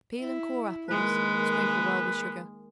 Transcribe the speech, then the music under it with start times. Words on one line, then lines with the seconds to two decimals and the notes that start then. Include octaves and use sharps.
Peel and core apples; sprinkle well with sugar.
0.20 E4
0.89 D#3 G#3 A#3 B4